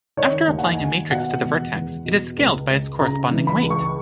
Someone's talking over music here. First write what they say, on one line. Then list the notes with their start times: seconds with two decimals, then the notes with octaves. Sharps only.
After applying a matrix to the vertex, it is scaled by its corresponding weight.
0.17 D#3 C#5
0.48 D#2
0.59 F#5
0.64 G#5
0.79 D#2
1.11 B2 F#5
1.42 E2
1.74 E2
2.05 B2
2.37 C#2
2.69 C#2
3.00 C#3 A#5
3.31 E3
3.47 B5
3.62 C#2
3.70 C#6